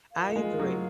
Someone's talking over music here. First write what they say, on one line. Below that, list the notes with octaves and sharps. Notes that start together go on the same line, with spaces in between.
I agree.
F4 A#4 F5
G#3
F#3